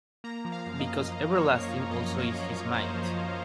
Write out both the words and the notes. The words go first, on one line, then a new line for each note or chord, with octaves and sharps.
Because everlasting also is his might.
A#3 A#5
F3
F5
F#2
D#5
F#2
F#2 D#5
A#3
C#5
A#3
C#5
F3
F#2 D#5
F#2
C#5
A#3
C#5
F3
F#2 C5
F3
F3